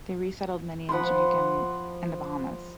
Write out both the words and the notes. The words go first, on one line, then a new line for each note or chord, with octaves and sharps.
They resettled many in Jamaica and the Bahamas.
F3 F#5 B5 C6